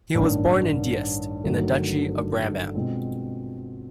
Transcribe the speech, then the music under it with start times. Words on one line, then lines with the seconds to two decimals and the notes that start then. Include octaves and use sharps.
He was born in Diest, in the Duchy of Brabant.
0.14 A1 G2 D#3
1.44 G1 G2 D#3 F#3 A3
2.74 B2 G#3 C4 F4